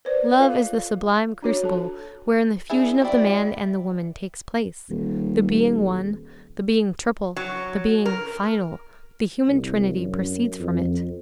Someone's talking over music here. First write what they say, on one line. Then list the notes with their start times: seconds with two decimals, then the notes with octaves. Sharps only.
Love is the sublime crucible wherein the fusion of the man and the woman takes place; the being one, the being triple, the being final, the human trinity proceeds from it.
0.05 B4 C5 D5
0.39 F4 A4 F5
1.42 D4 F#4 C#5
1.63 A4 A5
2.70 D4 E4 G#4
3.02 F#3 C4 E4 D5
4.89 D#1
7.36 F#3
8.06 A#4
9.48 C2
9.98 F#2
10.60 F2